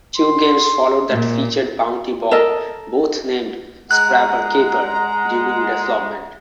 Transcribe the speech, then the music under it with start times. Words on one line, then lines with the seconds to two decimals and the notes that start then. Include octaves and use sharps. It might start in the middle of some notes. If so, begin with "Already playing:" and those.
Two games followed that featured Bounty Bob, both named "Scraper Caper" during development.
0.17 C6
1.11 A#2
2.31 A4 A#4 D#5
3.91 G#3 F#5 A#5 F#6